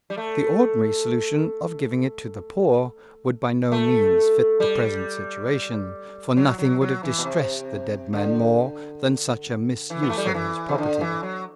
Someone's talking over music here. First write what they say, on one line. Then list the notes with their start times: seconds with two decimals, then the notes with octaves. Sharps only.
The ordinary solution, of giving it to the poor, would by no means fit the present situation, for nothing would have distressed the dead man more than such a misuse of his property.
0.10 G3
0.17 A3
3.72 A3
4.60 G3
6.37 F#3
6.58 F#3
6.81 F#3
7.03 E3
7.18 B2
7.25 C3
8.13 D3
9.90 E3
10.03 B3
10.10 A3
10.18 G3
10.25 F#3
10.34 E3
10.69 C3
10.78 D3
11.01 E3
11.23 F#3